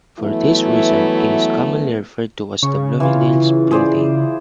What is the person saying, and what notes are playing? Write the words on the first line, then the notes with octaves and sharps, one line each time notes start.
For this reason, it is commonly referred to as the "Bloomingdale's Building".
E3 F#3 A3 B3 E4
C#3 C#6
E3 F4
G#4 C5 D5